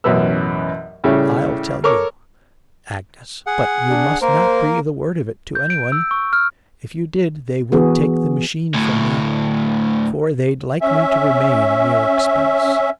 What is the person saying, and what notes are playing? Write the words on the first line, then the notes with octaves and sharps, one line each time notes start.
I'll tell you, Agnes, but you must not breathe a word of it to any one, if you did, they would take the machine from me: for they'd like me to remain a mere expense.
A1 F#2 B2 C#4 B4 E6
A2 C#3 G3 G#4 C#5 E5
A4 A#4 C#5 C#6 D6
G#4 F#5
D4
A#3 A#4 C5
G6
D7
E6
C#6
F6
E3 B3 F#4 G#4
D2 A2
C#4 E5